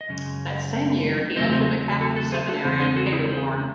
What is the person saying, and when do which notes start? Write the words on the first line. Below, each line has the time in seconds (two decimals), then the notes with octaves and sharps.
That same year, he entered the Catholic seminary in Paderborn.
0.01 D#5
0.09 F#2 C#3 G#3
1.36 E2 C#3 F#3 A3 C4 C5 D#5
1.52 C5 D#5
1.68 G#4 C5
2.00 F#4 A4
2.16 F#4 A4
2.32 G#4 C5
2.49 F#4 A4
2.64 E2 C#3 G#3 C4 G#4 C5
2.80 G#4 C5
2.96 F#4 A4
3.13 E4 G#4
3.29 G#4 C5